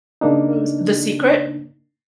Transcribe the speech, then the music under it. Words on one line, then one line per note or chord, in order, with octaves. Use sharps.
what was The Secret
C#3 A#3 D4 D#4